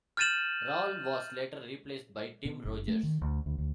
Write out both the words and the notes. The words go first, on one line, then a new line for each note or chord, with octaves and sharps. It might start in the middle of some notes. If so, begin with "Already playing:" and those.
Rawle was later replaced by Tim Rogers.
F6 G6 A6 D#7 E7 F#7
B2
F#1
A3
D#3
D2
D2
D2